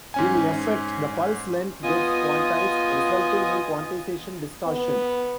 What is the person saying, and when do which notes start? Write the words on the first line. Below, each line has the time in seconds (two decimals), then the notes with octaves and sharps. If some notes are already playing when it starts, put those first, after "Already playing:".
In effect, the pulse length gets quantized, resulting in quantization distortion.
0.14 G#2 C#4 G#5
1.83 B3 F4 D#5 G#5 D#6
4.66 B3